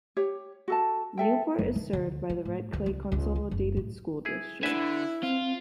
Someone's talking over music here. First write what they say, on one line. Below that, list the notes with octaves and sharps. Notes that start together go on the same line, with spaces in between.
Newport is served by the Red Clay Consolidated School District.
G4 C#5
F#4 A4 A5
A4 E5 G5
F#1
D3
D2
G3
A2
D2
C#2
C#2
D2
F#1
A2
E4 G#4
D3 E4 B4 E5 G#5
C4 F4